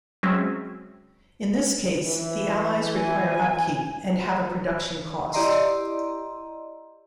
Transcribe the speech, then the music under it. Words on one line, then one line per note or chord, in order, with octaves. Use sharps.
In this case, the allies require upkeep and have a production cost.
F#3 G#3 C4 C#4 E5
E3
G#5
E4 G4 D5 D#5 A#5 C6